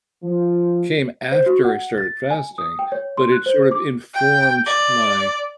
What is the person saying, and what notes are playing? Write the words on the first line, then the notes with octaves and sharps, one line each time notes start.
came after I started fasting, but it sort of informed my
F3
C5
F#4
F#5
A6
G#5
D#6
G5
C#5
C6
F#6
C5
D6
G5
D5